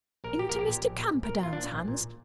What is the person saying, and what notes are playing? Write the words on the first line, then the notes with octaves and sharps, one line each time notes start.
"Into Mr. Camperdown's hands!"
A#1 A#4
A#2 G4
A#1 A#4
G4
A#2
A#1
A#2
A#1
A#4
A#2
A#1 F4
A#2 D4
A#1
A#2